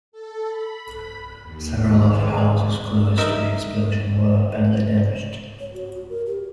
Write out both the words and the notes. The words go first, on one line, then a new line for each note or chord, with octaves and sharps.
Several other houses close to the explosion were badly damaged.
A4
B5
D#2
G#4
D#4 A#4 E5
C#5
F#4
F#4
A#4
G4